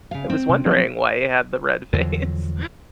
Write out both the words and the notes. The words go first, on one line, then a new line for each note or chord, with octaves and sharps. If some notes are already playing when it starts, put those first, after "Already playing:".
I was wondering why he had the red face.
C#3 F5
C4
C3
F3 F#3
E2 D3 F3 F#3